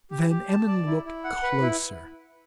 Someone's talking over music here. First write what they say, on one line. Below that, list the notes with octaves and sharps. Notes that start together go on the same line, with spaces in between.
Van Emmon looked closer.
G4
G4
A5
D5
E4
E4
F#5
B4
E4